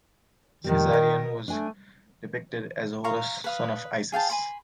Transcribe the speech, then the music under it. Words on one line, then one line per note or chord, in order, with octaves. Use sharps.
Caesarion was depicted as Horus, son of Isis.
F2 C3 D#3 G3
A#4 D#5
A3 D4 G#5
F5 A#5 C#6
B4 F5 D#6
G#4 F5 G5 A5
G#5 B5 C6